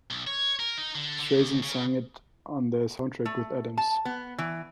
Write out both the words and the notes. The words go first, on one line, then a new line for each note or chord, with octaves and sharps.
Streisand sang it on the soundtrack with Adams.
B1
C#5
A#4
D#4
D3
D3
D2
C#3
A3
A5
B3
E3